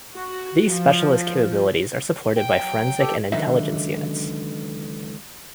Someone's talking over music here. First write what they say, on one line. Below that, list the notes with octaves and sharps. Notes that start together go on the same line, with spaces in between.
These specialist capabilities are supported by forensic and intelligence units.
F#4
F3
G5
F#3
G4 A4
C#2 D3 D#3 F#3 D#4 E5